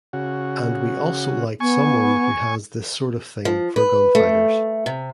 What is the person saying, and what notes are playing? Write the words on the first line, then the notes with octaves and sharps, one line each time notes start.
And we also liked someone who has this sort of thing for gunfighters.
C#3 F#4
B3 G#5 C#6
F3
B4
A3
C3